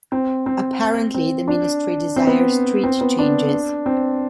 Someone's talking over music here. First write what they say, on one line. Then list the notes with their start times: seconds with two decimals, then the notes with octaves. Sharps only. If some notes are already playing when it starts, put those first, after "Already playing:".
Apparently, the ministry desires treaty changes.
0.12 C4
0.46 C4
1.14 C4
1.48 D4
2.16 C4
2.27 B3
2.84 C4
3.01 B3
3.19 D4
3.86 C4